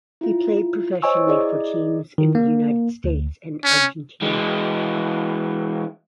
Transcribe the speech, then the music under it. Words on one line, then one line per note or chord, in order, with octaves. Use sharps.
He played professionally for teams in the United States and Argentina.
E4 F4
C5 C#5 D#5 G#5 C#6 E6
E4 G#4 D5 D#5
D#3
A#3
D2
C#4
E3 G#3